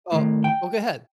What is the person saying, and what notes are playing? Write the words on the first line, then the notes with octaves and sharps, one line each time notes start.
oh oh, go ahead.
A2 D#3
G5